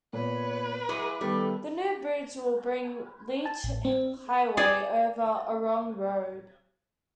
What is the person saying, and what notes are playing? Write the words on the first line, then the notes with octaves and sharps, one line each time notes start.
The new bridge will bring Leach Highway over Orrong Road.
A#2 B3 B4 C#5
F#3 G#3 E4 G#4 D6
D#3 G3 A3 B3
A5
A1
C4
G#4 D5